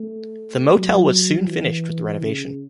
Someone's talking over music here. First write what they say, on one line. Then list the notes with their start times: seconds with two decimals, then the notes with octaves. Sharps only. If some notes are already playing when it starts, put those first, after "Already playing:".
The motel was soon finished with the renovation.
Already playing: A3
0.72 F#3
1.48 E3
2.24 C#3